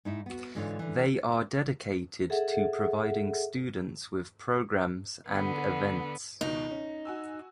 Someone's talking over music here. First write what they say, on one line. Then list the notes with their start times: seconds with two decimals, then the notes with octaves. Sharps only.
They are dedicated to providing students with programmes and events.
0.05 G#2 D#4 E4
0.26 B3 F#4
0.55 G#2 D3 E3 D4 F4 C#5
0.79 D3 E3
2.30 G#4 A4 E5 F#5
5.27 D3 B3
6.41 C#2 B2 D#3 D#4
6.71 C#4
7.05 F#4 G#5 E6